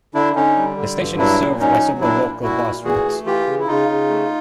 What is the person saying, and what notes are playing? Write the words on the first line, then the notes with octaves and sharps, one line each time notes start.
The station is served by several local bus routes.
D3 D4 E4
D3 C#4 D#4
G3
D3
G2
F#3 D4 E4
A#2
F#3 C#4 D#4
F#3
A#2 D4 E4
A#2
A#2 E4 F#4
A#2
E3 F#4 G#4
A3
E3 F4 G4
C#3
E4
C#3 D#4 F4
C#3
A3